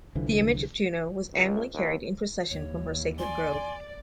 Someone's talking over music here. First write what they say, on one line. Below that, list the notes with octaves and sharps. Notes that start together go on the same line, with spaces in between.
The image of Juno was annually carried in procession from her sacred grove.
C2 D3 E3 F3
C#2
D#2
D#2 E3 C#5
D5 G#5 C6